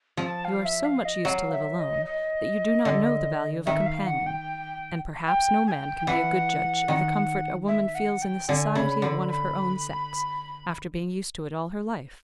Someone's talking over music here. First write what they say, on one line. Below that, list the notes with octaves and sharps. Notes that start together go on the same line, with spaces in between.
You are so much used to live alone, that you do not know the value of a companion; and, perhaps no man can be a good judge of the comfort a woman feels in the society of one of her own sex, after being used to it all her life.
F3
A5
F5
E5
F5
D#5
F#3 F5
E5
D#5
D#5
D3
D#3 E5
F5
F#5
G5
G5
G#5
G5
E3 F#5
D#3
E5
F#5
G5
D3 G#5
C#3 B5
D3 B5
B5